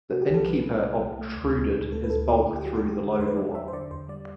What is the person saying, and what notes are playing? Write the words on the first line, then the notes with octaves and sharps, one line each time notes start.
The innkeeper obtruded his bulk through the low door.
C3 F#4
G4
C2 A4
G3 B4
C2
C3
C2
A3
D2
D3
D2
A3 A4
B4
D2 A4
D3 F#4
D2 E4
G4
F#3 F#4
A4
E2
G4
D3
B4
E2 C5
B4
F#3 D5
E2 E5
C5
D3 D5
E2 C5
G3 D5